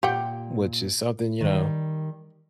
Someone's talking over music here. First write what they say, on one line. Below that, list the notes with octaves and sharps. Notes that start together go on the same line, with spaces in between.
which is something, you know,
A#2 G4 F#5 G5
D#3 G3